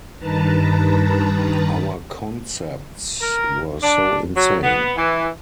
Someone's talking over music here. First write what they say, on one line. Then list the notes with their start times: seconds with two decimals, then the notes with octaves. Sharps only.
Our concepts were so insane.
0.18 G2 D#3 B4 A5 A#5
3.21 A#4
3.83 D4
4.37 F#3
4.63 B3
4.98 E3